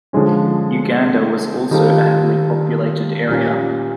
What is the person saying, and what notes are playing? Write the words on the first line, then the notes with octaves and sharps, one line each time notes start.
Uganda was also a heavily populated area.
D3 F3 G#3 C#4
D#3 G3 C4 F4 A4
A#2 G3 A#3 C#4